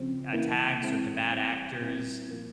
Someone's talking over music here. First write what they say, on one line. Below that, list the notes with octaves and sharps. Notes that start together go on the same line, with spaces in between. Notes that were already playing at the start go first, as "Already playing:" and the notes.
attacks or to bad actors.
Already playing: C#3 F3 C4
C#3 E3 A#3 E4
E3 G#3 C4 E4
E3 G3 C4 E4
A#2 G3 C4 E4
A#2 F3 A#3